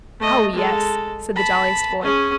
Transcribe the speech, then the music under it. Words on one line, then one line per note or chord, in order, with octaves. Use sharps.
"Oh, yes," said the jolliest boy.
A3 D#5
G#3 A4
A5 B5
C#4 G#4